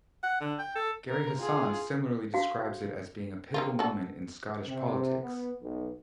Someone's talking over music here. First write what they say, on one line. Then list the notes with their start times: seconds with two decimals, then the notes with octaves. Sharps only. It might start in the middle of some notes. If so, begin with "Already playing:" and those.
Gerry Hassan similarly describes it as being a pivotal moment in Scottish politics.
0.23 F#5
0.41 D3
0.59 G5
0.75 A4
1.09 A#4
1.39 F4 G#4
2.34 F#4 F5
3.54 G3 A#3 F4
3.79 F#4 A4
4.67 C3
5.22 B3
5.62 B1